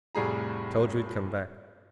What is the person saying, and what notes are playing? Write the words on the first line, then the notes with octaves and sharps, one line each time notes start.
"Told you he'd come back."
F1 A2 G3 G#4 A#5